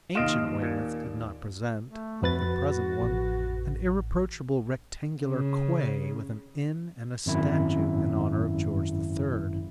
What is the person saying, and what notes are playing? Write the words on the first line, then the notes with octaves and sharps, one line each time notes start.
Ancient Weymouth did not present, like the present one, an irreproachable rectangular quay, with an inn and a statue in honour of George III.
D#2 F4 D#5 F5 D7 E7
A#2
A3
F2 F#4 B4 A6
A1
C#3
G#1 F#2 E4